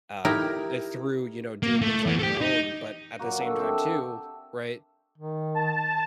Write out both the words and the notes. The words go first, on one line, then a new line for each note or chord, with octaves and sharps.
um, if through, you know, doing things on your own, but at the same time too, right?
D#4 E4 G4 A#4
A#3
A3
E3 B3
G4 A4
D#4
A#2 F#3 A#3 F#4
D#3 D4 A4
C4 G4 E5
D#3
A5